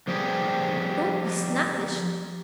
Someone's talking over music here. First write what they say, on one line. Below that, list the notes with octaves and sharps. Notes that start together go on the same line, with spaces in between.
Don't be snappish.
F3 G3 C4 G4 G#4 B4